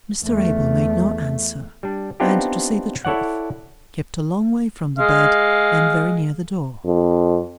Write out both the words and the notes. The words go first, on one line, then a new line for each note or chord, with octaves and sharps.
Mr Abel made no answer, and, to say the truth, kept a long way from the bed and very near the door.
E2 A3
G3 D4
B3 C4 D4 D#4 F4 G4
E4 A4 C#5 D5 F#5
G#3 F5
F2